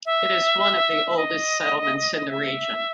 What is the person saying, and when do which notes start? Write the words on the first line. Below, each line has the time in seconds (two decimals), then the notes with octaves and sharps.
It is one of the oldest settlements in the region.
0.06 E5
1.17 D#5
2.29 E5